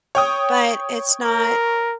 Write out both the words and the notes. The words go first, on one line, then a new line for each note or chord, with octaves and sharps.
but it's not
C#5 G5 D#6
A#4